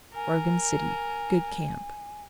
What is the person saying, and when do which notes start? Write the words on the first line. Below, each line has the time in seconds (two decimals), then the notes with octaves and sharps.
Oregon City.--Good camp.
0.15 A#4 G#5